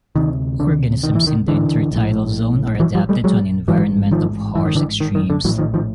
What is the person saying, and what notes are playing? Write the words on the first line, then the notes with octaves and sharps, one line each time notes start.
Organisms in the intertidal zone are adapted to an environment of harsh extremes.
D2 C3 D#3
D3
D#3
E3
D#3
D3 E3
A#1 A2
E3 F#3
F3 G3
G3 A3
F#3 G#3
A1 G#2 E3 F#3
D#3 F3
E3
D#3
D3 E3
D#3
D#3
D3
A#1 A2 E3 F#3
D#3 F3
D#3 F3